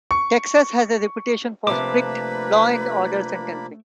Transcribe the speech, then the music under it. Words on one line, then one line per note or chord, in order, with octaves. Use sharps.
Texas has a reputation for strict "law and order" sentencing.
C#6
C3 F3 A3 A#3 D4 B4 B5 D6